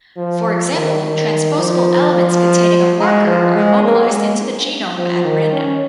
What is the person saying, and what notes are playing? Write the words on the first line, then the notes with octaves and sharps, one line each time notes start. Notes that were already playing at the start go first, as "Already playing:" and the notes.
For example, transposable elements containing a marker are mobilized into the genome at random.
F3
D#3
D#3
F3
F3
G#3
F3
G#3
A#3
G#3
F3
D#3
C#4